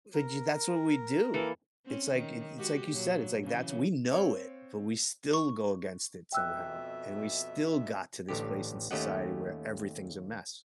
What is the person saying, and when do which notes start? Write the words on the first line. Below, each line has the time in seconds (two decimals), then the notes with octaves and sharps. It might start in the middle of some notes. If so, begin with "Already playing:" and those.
F j that's what we do. It's like i it's like you said, it's, like that's we know it, but we still go against it somehow and we still got to this place in society where everything's a mess,
0.14 A#4
1.34 E3 A#3 A4
1.85 C4 C#4
2.14 D#3
2.58 G#3 F#4 G4
2.89 A#2 F#3
3.44 C#3 E3 F#3
4.11 C4 C#5 F5
5.33 C#6
6.32 F2 B2 E5 G5 E6 F#6
8.29 A1 D3 G4
8.91 D#2 A3 C#4 G4 D#5 F#5